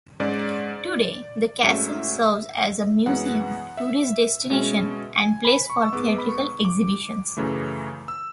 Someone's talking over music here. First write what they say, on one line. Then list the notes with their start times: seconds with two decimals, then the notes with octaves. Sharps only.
Today the castle serves as a museum, tourist destination and place for theatrical exhibitions.
0.20 G#2 G#3 C#4 D5
1.63 G#2 F#3 A3 C#4 E5
3.06 F#2 E3 G#3 B3 F#5
3.77 E5
4.50 B2 G#3 C#4
5.21 G#5
5.45 B5
5.70 C#6
5.82 E6
5.93 G#2 G#3 B3 D6
6.18 B5
6.29 C#6
6.65 D6
7.37 F#2 C#3 E3 A3
8.08 E6